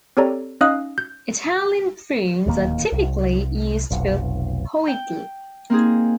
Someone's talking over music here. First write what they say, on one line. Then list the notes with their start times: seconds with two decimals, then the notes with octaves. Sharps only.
Italian prunes are typically used for powidl.
0.17 C4 G4 A4 C#5 D5 A#5
0.61 C#4 D#4 D#5 F5 D#6 F#6
0.98 G6
2.46 D1 D#2 A#3
2.92 C2
3.91 F1 B1
4.88 G5
5.70 A#3 C4 D#4 G#4